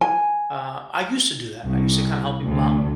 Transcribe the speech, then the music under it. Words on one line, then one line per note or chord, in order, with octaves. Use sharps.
uh, I used to do that, I used to kinda help people out,
G#5
C2
D2